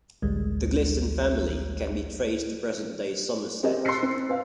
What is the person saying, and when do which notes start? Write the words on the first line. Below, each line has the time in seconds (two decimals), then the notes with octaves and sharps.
The Glisson family can be traced to present-day Somerset.
0.22 A1 D2 G3 G#3
3.63 C4 G4 G#4 A#4 C5 D#5
3.85 C6 E6 F#6 A6 C7 C#7
4.03 C4
4.29 B4 C5 F5